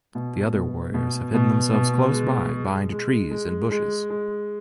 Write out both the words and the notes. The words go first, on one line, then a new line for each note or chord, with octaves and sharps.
The other warriors have hidden themselves close by behind trees and bushes.
B2
B2
B2
B2
B2
G#3
G#3
G#3
G#3
G#3
G#3